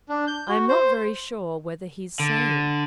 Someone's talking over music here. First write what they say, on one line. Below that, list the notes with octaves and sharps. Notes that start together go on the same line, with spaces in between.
"I am not very sure whether he's sane."
D4
G6
F#4
C5
D3